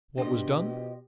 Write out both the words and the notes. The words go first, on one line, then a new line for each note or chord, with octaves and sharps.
What was done?
B2 F3 D4 G4 D#5